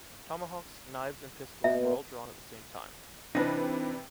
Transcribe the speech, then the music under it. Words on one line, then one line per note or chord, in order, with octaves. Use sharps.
Tomahawks, knives and pistols were all drawn at the same time.
B2 E5
C3 E3 C4 D4 D#4 B4